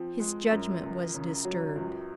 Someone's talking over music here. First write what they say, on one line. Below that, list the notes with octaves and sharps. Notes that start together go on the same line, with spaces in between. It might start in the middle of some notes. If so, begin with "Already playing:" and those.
His judgment was disturbed.
Already playing: F3 C4
G#3
F#2
C#2
C#3
F#3
C#2